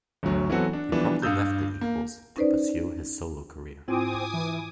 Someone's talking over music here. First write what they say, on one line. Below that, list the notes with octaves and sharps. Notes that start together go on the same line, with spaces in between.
He promptly left The Equals to pursue his solo career.
G1 D2 F#3
E3 F#3 B3 C4 F#4 A4
D4
E3 F3 G3 B3 D4
G2 F5 D#6 E6 G6
A#3
C#4 D#4 B4 C5 D5
G#2 C4 E4 F4 G#5 D6 D#6
E3